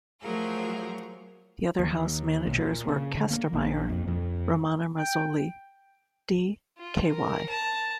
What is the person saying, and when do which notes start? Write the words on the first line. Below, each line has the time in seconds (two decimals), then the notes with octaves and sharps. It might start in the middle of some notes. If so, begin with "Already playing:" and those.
The other House managers were Kastenmeier; Romano Mazzoli, D-Ky.
0.20 F3 F#3 A3 G#4 A#4 F5
1.79 D#2
2.47 B1
2.61 A#2
2.88 C#3
3.17 D3
3.30 A#3
3.53 A#1
3.90 F2
4.08 F2
4.99 G5
6.78 F4
7.10 A#4
7.49 A5 A#5